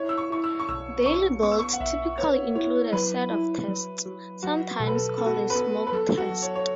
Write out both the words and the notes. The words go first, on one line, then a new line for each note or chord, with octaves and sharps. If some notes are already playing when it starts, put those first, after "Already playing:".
Daily builds typically include a set of tests, sometimes called a smoke test.
Already playing: E4 C#5
E6
C#6
E4 C#6
E6
C#6
B1 E6
B1 C#6
B3 C#6
E6
C#6
F#5
B1 E5
B3 C#5
E4 C#5
F#3 B4
E4
F#3
F#3
F#3 F#4
B2 A4
B4
A4
B3 A4
F#4
A4
B4
B3 A4
B4
F#3 A4
F#4
F#3
C#5
C#5